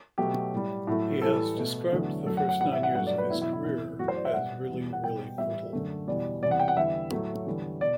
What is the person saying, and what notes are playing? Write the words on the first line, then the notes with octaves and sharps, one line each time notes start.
He has described the first nine years of his career as really, really brutal.
B2 F#3 A3 G4
A2 G3
A2 F#3 A3
A2 E3 G3 A4
B2 A3
E2 D3 F#3 A3
F#2 F#3 A3 A4
F#5
F#5
A2 E3 G3 F#5
E5
F#5
G2 F#3 A3 F#5
D5
B4
E2 B2 F#3 E4
E4
E4
E2 C3 E3 E4
F#2 E3 A3 F#4
C5
D5
E5
B2 G3 F#5
E2 B2 G3
F#5
B2 G3 G5
A2 E3 G3 E5
F#2 D3 A3
E2 B2 G3 D5
E2 C3 G3 D5
F#5
G5
F#5
E2 D3 G3 E5
A2 F#3 A3
E2 D3 G3
B2 D5